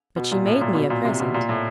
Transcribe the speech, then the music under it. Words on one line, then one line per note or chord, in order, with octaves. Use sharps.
But she made me a present.'
B2
A#2
A2
A#2
B2
A#2
C3
B2
A#2
A2